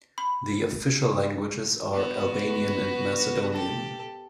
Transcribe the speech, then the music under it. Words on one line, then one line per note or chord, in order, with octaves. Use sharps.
The official languages are Albanian and Macedonian.
B5
B3 F#4
G4 A4